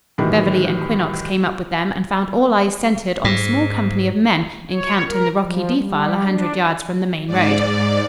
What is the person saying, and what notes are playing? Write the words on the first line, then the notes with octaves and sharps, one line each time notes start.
Beverly and Quinnox came up with them and found all eyes centered on a small company of men encamped in the rocky defile a hundred yards from the main road.
A2 D#3 E3 F#3 G3
G#2
C#5
A#4
F3
G3
D4
G#2 D5